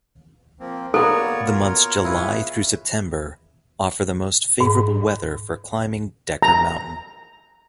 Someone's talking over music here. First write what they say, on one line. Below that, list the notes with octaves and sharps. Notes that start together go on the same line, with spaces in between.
The months July through September offer the most favorable weather for climbing Decker Mountain.
F3 A#3 C4
A#3 B3 F#4 A4 C#5 D5 C#6
F4 A#4 C#5
E4 F4 G#4 B4 C#5
G#2
A#5